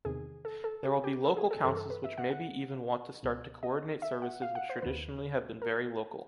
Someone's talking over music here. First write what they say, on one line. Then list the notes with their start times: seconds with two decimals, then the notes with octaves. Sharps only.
There will be local councils which maybe even want to start to coordinate services which traditionally have been very local.
0.05 E2 C3 D#3 G#4
0.45 A4
0.64 A4
0.84 G4
1.04 G4
1.24 A4
1.37 G#4
1.51 A4
1.64 G2 E3 A4
1.77 A4
1.90 B4
2.04 E5
2.18 F#5
2.31 F#5
3.23 C#2 B2
3.63 D#5
4.02 E5
4.22 F#5
4.42 F5
4.55 F#5
4.70 C5
4.82 D#2 D#3 B4
5.62 A#4